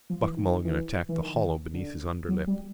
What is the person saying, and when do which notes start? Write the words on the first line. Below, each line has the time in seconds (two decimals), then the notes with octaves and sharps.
Buck Mulligan attacked the hollow beneath his underlip.
0.10 F3
0.23 E3
0.37 D#3
0.50 D#3
0.64 E3
1.09 E3
1.20 D#3
1.73 D3
2.28 F#3
2.47 G3